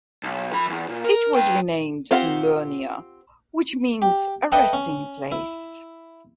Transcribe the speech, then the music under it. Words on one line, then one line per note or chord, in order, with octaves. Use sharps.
It was renamed Lurnea which means "a resting place".
B1
F3 B5
E2
A#2
A#4
B4 G5
C4 F4 G4 F5 F#5
G4
A4 B4 D#5 E5 F#5 G5
C#4
E4